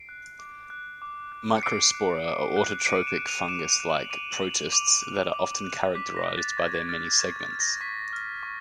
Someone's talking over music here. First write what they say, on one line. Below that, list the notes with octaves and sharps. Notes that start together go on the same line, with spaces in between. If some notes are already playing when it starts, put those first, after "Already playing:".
Microspora are autotrophic fungus-like protists that are often characterized by their many segments.
Already playing: C7 D7
F#6
D6
F#6
D6
F#6
C#7
D6 C7 D7
F#6
D6
F#6
D7
D6 C#7 D#7
D7 E7
F#6
D#7 F7
D6 D7 E7
D#7 F7
F#6
E7 F#7
D6 D#7 F7
E7 F#7
F#6
E7 F#7
D6 D#7 F7
F#6
D6
F#6
D6 B6
A#6
F#6
A6
C#6 G#6
G#6
F6 A6
A6
C#6 G#6
A6
F6
A#6
C#6 B6
F6
C#6